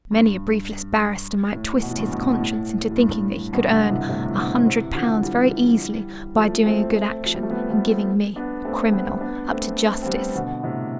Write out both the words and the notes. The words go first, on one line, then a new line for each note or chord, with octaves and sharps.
Many a briefless barrister might twist his conscience into thinking that he could earn a hundred pounds very easily by doing a good action--in giving me, a criminal, up to justice.'
G2
A2
B2
A2
G2 B2
G2 B2
B2
A2
A2
G2
G2 B2
B2 D3
C3 E3
A2 C3
E3
B2 D3
C3 E3
D3 F3
E3 G3
F3 A3
A3 C4
F3
G3
A3
G3 B3
G3 B3
A3 C4
B3 D4
A3 C4
G3 B3
B3 D4
A3 C4
C4
G3 B3
B2 D3
A2 C3